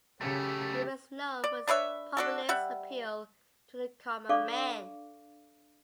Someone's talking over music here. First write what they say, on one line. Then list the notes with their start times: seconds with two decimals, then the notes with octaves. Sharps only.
He was known for his populist appeal to the common man.
0.21 F#2 C#3 A3 G4
1.44 D5
1.68 D4 B4 C#5 E5
2.17 D4 F#4 A4
2.49 G3 E5 F#5
4.29 D4 A4 D5 F5 C#6 D6